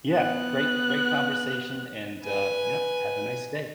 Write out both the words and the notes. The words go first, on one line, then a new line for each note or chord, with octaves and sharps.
Yeah. Great great conversation and, uh, yep, have a nice day.
B3 F#6
B4 G#5